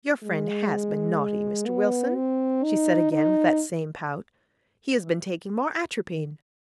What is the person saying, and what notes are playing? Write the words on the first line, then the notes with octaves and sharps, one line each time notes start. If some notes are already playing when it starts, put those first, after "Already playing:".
'Your friend has been naughty, Mr. Wilson,' she said again with that same pout: 'he has been taking more atropine.'
G#3
B3
C4
D#4
D#4